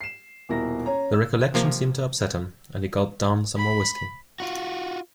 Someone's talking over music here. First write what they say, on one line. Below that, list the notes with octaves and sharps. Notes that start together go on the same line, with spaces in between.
The recollection seemed to upset him, and he gulped down some more whisky.
C7 E7
D#1 B2 E4 A#4 A#6
C#4 C#5 A#5
E6
C3 F3 A#3
B5
F4 F#4